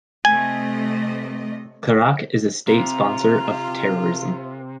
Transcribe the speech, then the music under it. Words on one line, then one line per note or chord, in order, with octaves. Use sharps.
Qurac is a state sponsor of terrorism.
C3 A3 D#5 G#5
C3 F4 A#5